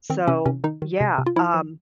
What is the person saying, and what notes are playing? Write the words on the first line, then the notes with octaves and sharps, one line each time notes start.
So, yeah, um
D#3 C4
C3 C#4
C3 C#4
D#3 D#4
D#3
C3
C3
F4
F3 E4
F3